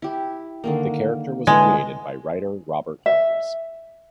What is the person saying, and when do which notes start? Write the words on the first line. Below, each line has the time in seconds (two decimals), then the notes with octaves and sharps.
The character was created by writer Robert Holmes.
0.02 E4 G4
0.64 D3 D#3 A#3
1.47 D3 E3 G#3 D4
3.06 E5